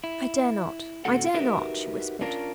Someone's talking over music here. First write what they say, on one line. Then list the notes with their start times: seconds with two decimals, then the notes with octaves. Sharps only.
"I dare not--I dare not," she whispered.
0.04 E4
1.05 A2 D3 C4 F#4 A4 F#5
1.34 D#4 F#4 G4 A#4 B4 E5
2.21 C#4 D4 F4 A#4